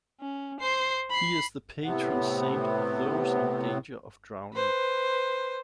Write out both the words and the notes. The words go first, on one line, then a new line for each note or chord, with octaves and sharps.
He is the patron saint of those in danger of drowning.
C#4
C5 C7
B5 C7
A2 C3 B3
B4 C5